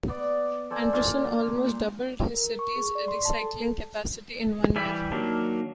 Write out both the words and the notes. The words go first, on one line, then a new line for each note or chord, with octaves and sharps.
Anderson almost doubled the city's recycling capacity in one year.
B3 D5
A4 C5 D5 G#5
A#2 D4 F4
A#4
C#6
G#4
D5
C6
A5
A4
E3 G3 E4 G4 B5
D#3 F#3 A#3 D4